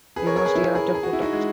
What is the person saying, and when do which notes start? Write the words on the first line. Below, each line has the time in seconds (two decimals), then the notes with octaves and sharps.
He was re-elected four times.
0.16 G#4 B4
0.26 A#4 C#5
0.36 A#4 C#5
0.45 G#4 B4
0.55 E4 G#4
0.75 E4 G#4
0.94 G#4
1.03 F#4
1.13 E4
1.22 D#4 F#4
1.33 G#3